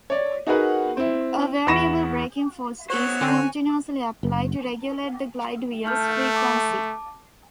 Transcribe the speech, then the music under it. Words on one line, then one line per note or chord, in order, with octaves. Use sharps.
A variable braking force is continuously applied to regulate the glide wheel's frequency.
C#5 D5
D#4 F#4 G#4 A#4 B4 F#5
C4 E4
E2 F#5 B5 C#6 A#6 E7
B3 F#4 C5 C#5
D3 C4 G#5
F#1
A3 A5 F6 G6
A5 D6